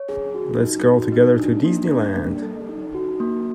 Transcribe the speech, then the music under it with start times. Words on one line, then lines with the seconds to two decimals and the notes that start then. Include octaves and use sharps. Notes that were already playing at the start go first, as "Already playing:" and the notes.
Let's go altogether to Disney Land.
Already playing: C#5
0.09 G#4
0.35 F#4
0.60 D#4
0.87 F#4
1.12 D#4
1.38 D4
1.64 A#3
1.91 D4
2.16 A#3
2.42 A4
2.69 D#4
2.94 F#4
3.20 A#3